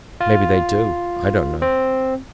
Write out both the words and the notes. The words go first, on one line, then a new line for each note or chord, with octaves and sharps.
Mebby they do; I don't know.
F4
C4